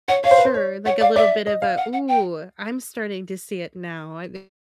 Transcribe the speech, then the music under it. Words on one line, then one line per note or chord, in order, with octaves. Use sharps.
Sure, like a little bit of a, "Ooh, I'm starting to see it now, I think
C#5 F#5
C#5 F5
C5
B4
C5
C#5
C#5 F#5
D5 F5
D5 E5
D#5
F5
F#5
F#5
G5